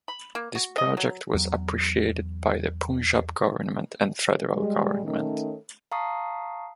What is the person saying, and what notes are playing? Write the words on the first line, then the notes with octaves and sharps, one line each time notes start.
This project was appreciated by the Punjab Government and Federal Government.
B5
A#3
F#4
D#5
F#3
E2 F#3
G3 G#3
D#3 A3 C#4
F5 A5 A#5 C#6 D#6 C7